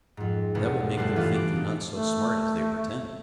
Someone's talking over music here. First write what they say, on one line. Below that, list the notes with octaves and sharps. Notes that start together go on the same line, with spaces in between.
"That will make them think they're not so smart as they pretend."
F2 G#2
E1 E2 B2 A3 B3
G1 G3 A3 D4 C6 F#6
E3 D4 F4 C6
D6 F#6
D#4
A3